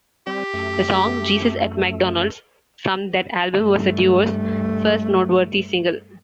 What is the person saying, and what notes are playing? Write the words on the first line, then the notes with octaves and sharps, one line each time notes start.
The song "Jesus at McDonald's" from that album was the duo's first noteworthy single.
G3 C4 G4
F#2 A3
G2 A3